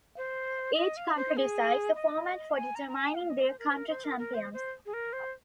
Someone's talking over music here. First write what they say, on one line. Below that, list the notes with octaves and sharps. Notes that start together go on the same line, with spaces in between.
Each county decides the format for determining their county champions.
C5
D#5
F5
C5
G#4
D#5
F5
G#5
A#5
A#5
G#5
F5
D#5
C5
A#4
C5
A#4
C5
A#4
A#4
C5
C5
G#4
A#4
C5